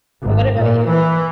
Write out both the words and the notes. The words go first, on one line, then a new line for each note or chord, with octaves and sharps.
And what about you?
G#1
A#2
E3